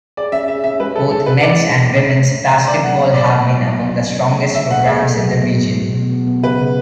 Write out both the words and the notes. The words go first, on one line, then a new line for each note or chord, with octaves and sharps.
Both men's and women's basketball have been among the strongest programs in the region.
G#4 D5
C#4 E5
G#4 E5
C#4 E5
G#3 B4
C#4 A4
G#3 A4
C#4 B4
A3 D5
C#4
C#4
C#4
A3
A3
A3
C#4
D4 D5
F#3 F#5
B3
F#3 D5
B3
B3
F#3
B3
C#4
D3
A3
D3
D3 E5
A3 F#5
G#4 E5
A3
F#3
B2
B3
B2
B2
B2
B3
B3
C#3 B4
C#3